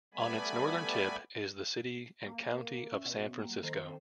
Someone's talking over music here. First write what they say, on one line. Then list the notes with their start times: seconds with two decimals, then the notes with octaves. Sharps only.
On its northern tip is the City and County of San Francisco.
0.14 G3 A3 B3 D5 G#5 B5
2.26 A#3
2.92 C#4 E5
3.05 B2
3.38 F#3 G3 A#3
3.63 D#3 A4 C5 A#5
3.85 C4